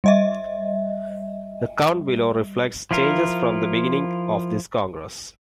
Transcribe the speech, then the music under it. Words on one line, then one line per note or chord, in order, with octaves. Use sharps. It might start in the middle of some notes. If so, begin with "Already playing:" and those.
The count below reflects changes from the beginning of this Congress.
G3 D#5 E5
F3 E4 F4 A#4